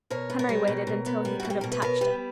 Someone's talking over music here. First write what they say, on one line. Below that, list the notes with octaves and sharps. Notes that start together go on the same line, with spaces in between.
Henry waited until he could have touched him.
B2 A#4 C#5
B3
A#4 C#5
G3
B2
B2
B3
G3
F#4
B2
G4
B2 A#4
B4
B3 A#4 C#5
G3 G4 B4